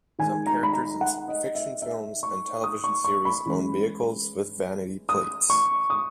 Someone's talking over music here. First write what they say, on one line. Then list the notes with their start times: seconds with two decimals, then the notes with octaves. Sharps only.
Some characters in fiction films and television series own vehicles with vanity plates.
0.19 D#3 G#3 D#4 G#5
0.46 A#5
0.63 B5
0.73 A#5
1.01 F#5
1.28 D#5
1.55 E5
1.82 E5
2.23 C#6
2.64 D#6
2.84 C#6
3.05 C#6
3.25 B5
3.46 E3 G#3 C#4
5.09 D#6
5.50 C#6
5.90 D#6